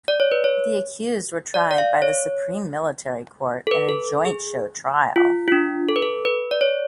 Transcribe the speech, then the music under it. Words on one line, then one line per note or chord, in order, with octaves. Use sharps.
The accused were tried by the Supreme Military Court in a joint show trial.
D5
C#5
B4
C#5
D5
D5
F5
C#5
A4
B4
A4
G#4
F4
F4
D4
A4
B4
A4
B4
D5
C#5